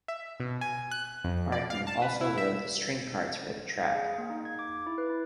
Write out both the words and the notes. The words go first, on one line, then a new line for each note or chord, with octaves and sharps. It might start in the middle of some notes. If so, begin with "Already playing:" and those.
Martin also wrote the string parts for the track.
E5
B2
G#5
F#6
F2
D5
F5
A5
B4
E4
E5
F5
G#4
A#3
D#4
G#6
D6
E4
B4
E4